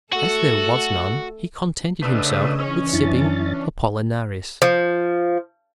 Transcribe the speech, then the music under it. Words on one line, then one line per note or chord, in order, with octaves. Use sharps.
As there was none, he contented himself with sipping Apollinaris.
A3 F#4 A4
C#3 A3 D4 B4 C#5 D#5 D#6 E6
E3 C#4 D4 C#5
F#2 E4 A6
F3